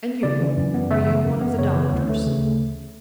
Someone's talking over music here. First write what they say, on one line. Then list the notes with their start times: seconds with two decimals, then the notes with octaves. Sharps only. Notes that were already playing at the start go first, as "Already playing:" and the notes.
"And you, are you one of the doctors?"
0.23 C#3 D5
0.40 E3
0.57 F#2
0.74 B3
0.91 C#3 E5
1.08 E3
1.26 F#2
1.41 B3
1.59 C#3 C#5
1.76 E3
1.92 D2
2.09 A3
2.26 C#3